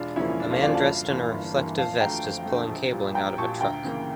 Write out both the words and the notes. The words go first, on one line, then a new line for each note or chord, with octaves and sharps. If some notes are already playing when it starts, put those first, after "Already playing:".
A man dressed in a reflective vest is pulling cabling out of a truck.
Already playing: E1 D4 F4
E2 C#3 F3 A#3 C#4 E4
C#4
E1 D4
F4 A4
E2 C#3 F3 A#3 D5 F5
F5 A5
G1
G2 E3 A#3
G1
G2 E3 A#3
F2 F5 A5
D3 A3 G5 A#5
F2
D3 A3
A#1
A#2 G3
A#1 G5 A#5
A#2 G3 A5 C#6
D2 G5 A#5
C#3 E3 A#3